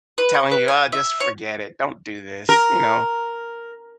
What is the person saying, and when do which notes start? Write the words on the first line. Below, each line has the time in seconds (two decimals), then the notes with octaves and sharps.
telling you, "Oh, just forget it, don't do this." You know?
0.18 B4
0.34 C#6
0.51 B4
0.68 G#5
0.92 E5
1.20 C#5
2.49 A#4